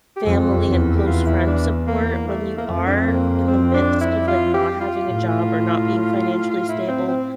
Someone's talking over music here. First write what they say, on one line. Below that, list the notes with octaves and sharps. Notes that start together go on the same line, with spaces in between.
family and close friend support when you are in the midst of, like, not having a job or not being financially stable,
G4
F2 A4
E2
G4
F4
E4
D4
A#3
A3
A#3
F2 A3
D4
C4
A#3
C4
D4
E4
F4
G4
F4
A2
E4
C4
C4